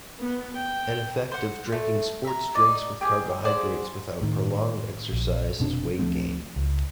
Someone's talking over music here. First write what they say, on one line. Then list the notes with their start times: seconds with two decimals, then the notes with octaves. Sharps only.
An effect of drinking sports drinks with carbohydrates without prolonged exercise is weight gain.
0.20 B3
0.56 G5
1.32 C5 F#5
1.72 A3
2.25 E5 A#5
2.55 D#4 D5
3.01 G4 G#4
3.45 G#4 C5 D5 F#5
4.21 A2 D#3
5.12 A#1
5.60 F1 B2 C4 D4
5.99 D2 F3 A3 C4
6.56 C#2